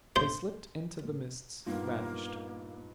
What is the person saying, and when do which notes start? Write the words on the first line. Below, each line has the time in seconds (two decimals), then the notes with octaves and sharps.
They slipped into the mists; vanished.
0.16 C5
1.67 G2 A#2 A#3 B3 D#4 F4